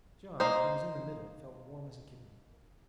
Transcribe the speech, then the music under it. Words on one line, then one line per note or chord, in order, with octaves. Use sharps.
John, who was in the middle, felt warm as a kitten.
A#3 D#4 C5